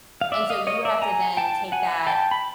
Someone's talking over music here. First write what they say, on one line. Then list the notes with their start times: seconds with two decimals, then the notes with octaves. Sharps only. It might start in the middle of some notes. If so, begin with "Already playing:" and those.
and so you have to then take that
0.21 F5
0.32 D5 E5
0.50 D#5 F5
0.67 C#5 D#5
0.85 D5 E5
1.02 G#5 A#5
1.37 G5 A5
1.72 F#5 G#5
2.07 G5 A5
2.31 B5